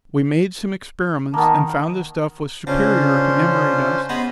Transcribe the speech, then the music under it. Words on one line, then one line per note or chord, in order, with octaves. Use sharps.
We made some experiments, and found the stuff was superior to emery dust.
D#3 A#3 B3 A5
C#3 C#4 D4 F4 C5
B3 G#4 C5 D#5 B5